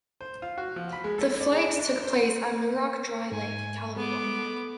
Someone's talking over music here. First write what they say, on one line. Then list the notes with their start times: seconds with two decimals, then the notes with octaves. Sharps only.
The flight took place at Muroc Dry Lake, California.
0.21 C5
0.42 F4
0.58 F#4
0.76 F3
0.93 B5
1.04 G#3
1.18 A4
1.40 D5
1.53 G#4
1.77 D4
2.02 C5
3.32 G#2 G#5
3.96 G#3 B3 A4 D6
4.39 A4